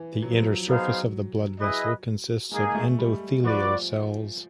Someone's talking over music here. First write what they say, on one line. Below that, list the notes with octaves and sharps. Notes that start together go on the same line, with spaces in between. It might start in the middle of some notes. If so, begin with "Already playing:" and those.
The inner surface of the blood vessel consists of endothelial cells.
Already playing: E3
F#3
F3
F#3
F#3 B3 D#4 G#4 C5 F5
E4 G#4 B4 D#5
G#3 A#3 D#4 G#4
A3
G3
F3 F#4 B4 D5